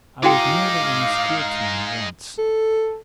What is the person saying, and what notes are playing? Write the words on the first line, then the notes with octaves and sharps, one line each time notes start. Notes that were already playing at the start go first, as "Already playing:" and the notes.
I was nearly in the school team once.
G#3 D#4 E4 F#4 F5 G5 D6
A4